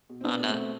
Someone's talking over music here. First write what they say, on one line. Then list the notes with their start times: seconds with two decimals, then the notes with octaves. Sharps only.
on a
0.09 B2
0.21 C4
0.24 B2 B3 D4
0.40 B2
0.49 A3 C4
0.56 B2